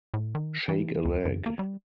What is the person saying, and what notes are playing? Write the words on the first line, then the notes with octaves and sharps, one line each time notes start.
Shake a leg.
A2
D#3
E3
D2
F#2
A#3
G3